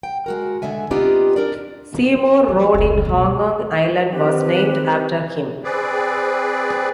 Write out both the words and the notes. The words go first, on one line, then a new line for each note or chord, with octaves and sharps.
Seymour Road in Hong Kong Island was named after him.
G5
G#3 F#4 A#4
D3 G#3 E5 G#5
B3 C4 D4 D#4 F4 G4
D4 A#4 D5
F3
F1 C#2
D2 B2
D#3 A#3 C4 G4 B4
C4 G#4 B4 D5